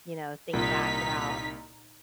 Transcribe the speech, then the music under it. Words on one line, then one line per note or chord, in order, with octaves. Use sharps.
you know, think back about
C2 A#2 D#4 B6